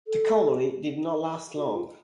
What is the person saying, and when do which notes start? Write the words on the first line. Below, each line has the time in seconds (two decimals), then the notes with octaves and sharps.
The colony did not last long.
0.07 A4
1.56 F#4
1.66 D#4
1.75 F4